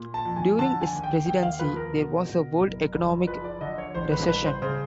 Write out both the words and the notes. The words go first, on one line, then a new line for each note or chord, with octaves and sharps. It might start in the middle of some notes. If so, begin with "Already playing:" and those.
During his presidency, there was a world economic recession.
Already playing: A#2
A5
F2
G#5
D3 A5
G#5
D#2
G5
D#2 G5
F5
F3 B4
A#4
B2
B2
F#1
F#1
F3 B4
D5
D3 D#5
C#5
A1 C5
B4
G2 B4
C5
C#3 C5